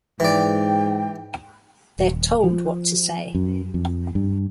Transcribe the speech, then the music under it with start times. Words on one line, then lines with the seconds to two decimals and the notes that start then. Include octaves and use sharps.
They're told what to say.
0.20 G#2 E3 D5 G5
1.99 D#1
2.44 F3
3.35 F#2
3.74 F2
4.15 G2